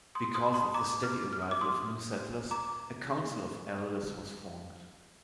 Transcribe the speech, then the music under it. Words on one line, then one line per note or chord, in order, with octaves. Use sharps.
Because of the steady arrival of new settlers, a council of elders was formed.
C6 D#6
C6 D#6
A5 C6
A#5 D6
D6 F6
F6
D#6
D6
C6 D#6
A#5 D6